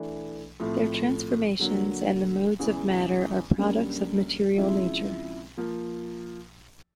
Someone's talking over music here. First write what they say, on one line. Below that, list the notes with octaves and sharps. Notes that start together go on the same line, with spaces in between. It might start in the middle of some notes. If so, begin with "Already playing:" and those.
Their transformations and the modes of matter are products of material nature.
Already playing: E3 A3 D4
A2 F3 A3 C4
D3 F#3 A#3
E2 C#3 E3 G#3
F#2 D3 G3 A#3 C#4
C#3 F3 G#3 C4 E4
F3 A#3